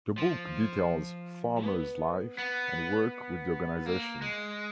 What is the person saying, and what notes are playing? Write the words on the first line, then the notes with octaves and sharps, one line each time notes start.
The book details Farmer's life and work with the organization.
F3
B3
B3
A#3
G#3